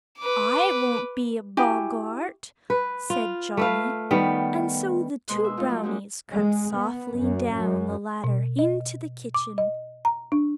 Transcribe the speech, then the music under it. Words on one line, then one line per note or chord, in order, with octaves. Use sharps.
"I won't be a boggart," said Johnny, and so the two brownies crept softly down the ladder into the kitchen.
B4 D6
E4 F#4 G4 G#5
B4
F4
A3 B4 F5
D#3 G3 B3
B2 G#3 A#3 D#5 C6 F#6
E5
A3 A#3 D#4 F4 A4
E3 F#3
G#3 A#3 C#4 D#4 F#4 G4
G#3
B3
F#2
F#2
B2
D#5
D6
D#5
A#5
D4